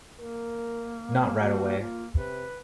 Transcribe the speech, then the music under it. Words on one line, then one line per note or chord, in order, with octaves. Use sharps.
Not right away.
A#3 A#4
F#4
A#3 F4
C3 B4